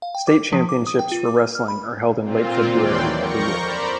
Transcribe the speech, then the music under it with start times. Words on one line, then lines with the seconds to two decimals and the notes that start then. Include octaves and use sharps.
State championships for wrestling are held in late February every year.
0.02 F5
0.15 G5
0.27 D6
0.53 F3
0.69 D6
0.87 D#6
0.99 G5
1.12 F4
1.26 D6
1.39 F6
1.55 F6
1.68 B5
2.19 A#2 C4 F4
2.70 D#2 E3 F#3 D5 G5 C6
3.17 F2 A#4 C#6 G6 A#6 C#7
3.60 C5 D5 A#5 B5